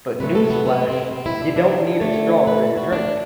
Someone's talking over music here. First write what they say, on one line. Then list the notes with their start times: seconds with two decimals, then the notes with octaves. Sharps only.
But, news flash, you don't need a straw for your drink.
0.20 C3 F#3 A3 B4
0.35 A4
0.50 B3
0.65 B3
0.89 C4
1.02 B3
1.11 C4
1.26 E4
1.41 D4
1.56 D4
2.01 D3 A3
2.47 B4
2.62 A4
2.77 F#4
2.92 D4